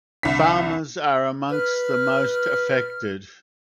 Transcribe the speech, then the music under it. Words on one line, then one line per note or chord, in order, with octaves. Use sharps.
Farmers are among the most affected.
C2 D3 B6
B4 F6